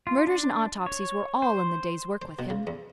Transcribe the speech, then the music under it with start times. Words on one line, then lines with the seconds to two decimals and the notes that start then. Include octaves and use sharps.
Murders and autopsies were all in the day's work with him.
0.07 F4
0.27 D4
0.86 C#5
1.42 C5
2.22 C5
2.39 B2
2.50 C#3
2.67 E2